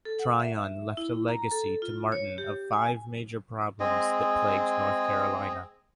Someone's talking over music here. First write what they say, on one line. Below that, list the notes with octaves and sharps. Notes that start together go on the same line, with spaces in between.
Tryon left a legacy to Martin of five major problems that plagued North Carolina.
A4
F#5
E5
E4
A#5
A4
F4
C#5
G4
G#5
G#3 C4 G#4 D#5